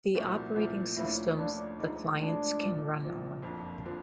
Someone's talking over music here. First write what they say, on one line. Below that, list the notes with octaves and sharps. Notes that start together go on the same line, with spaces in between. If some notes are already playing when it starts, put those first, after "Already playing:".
The operating systems the clients can run on.
C2 A#2 F3 A3 F#4
C2 A#2 F3 A3
D2 D3 F3 A#3 C#4 E4
D2 D3 F3 A#3 C#4 D4
D2 D3 F3 G#3 D#4
D2 D3 F3 G#3 D4
A#1 A#2 F3
A#1 A#2 F3
F#1 F2 D3 F3
D3 F3